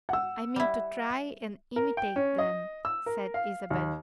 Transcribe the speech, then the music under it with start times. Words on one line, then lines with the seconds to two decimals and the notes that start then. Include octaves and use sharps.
"I mean to try and imitate them," said Isabel.
0.09 F#5 E6
0.56 G3 E4
1.76 A#4
1.97 G5
2.16 C#4
2.39 D#5
2.85 E6
3.06 A#4
3.34 F5
3.70 D#2